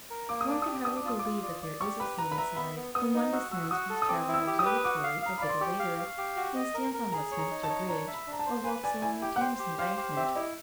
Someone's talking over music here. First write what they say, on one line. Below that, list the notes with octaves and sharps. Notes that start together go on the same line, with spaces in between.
One can hardly believe that there is a seamy side when one descends from his travelling observatory a little later, and stands on Westminster Bridge, or walks along the Thames Embankment.
A#4
A#3 D6
D#6
D4 D6
D#6
G4
D6
D4 D#6
D6
F4 D#6
F4 D6
D5
D5
G4 C#6
B4 B5
B4 A#5
B5
E5 A#5
B3 B5
B3
B3 D#6
D#4
F#4 E6
F#4 E6
E6
F#4 D#6
A4
D#6
C4 D6
E4
E6
G4
D#6
B4
F#4 D6
F5
F5 A#5
D5 B5
C6
G4 C#6
F5
F5
G4
F#4
D#5
A#4
A#4
G#4 A#5
C#5
A#5
D#4
A5
C#5
D4 A#5
E5
B5
D4
A#5
A5
C5
B4 G#5
D5 G#5
E4 G#5
G4 G5
F#5
C5 G5
G4
C5 F5
G4
C4 E5
E4 D#5